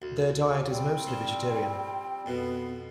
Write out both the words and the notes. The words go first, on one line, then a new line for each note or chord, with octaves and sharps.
Their diet is mostly vegetarian.
D2
G3 C4 G5
F3
F2 B2 B3